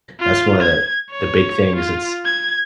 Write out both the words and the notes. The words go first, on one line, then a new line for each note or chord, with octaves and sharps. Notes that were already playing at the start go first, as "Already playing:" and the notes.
That's one of the, the big things it's,
F4
G#6
C#5
F4
G#6